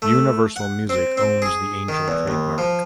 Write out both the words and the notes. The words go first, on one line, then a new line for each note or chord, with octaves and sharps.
Universal Music owns the Angel trademark.
A3
F#5
C4
C4
G#4
D#3
E2
D#2
F3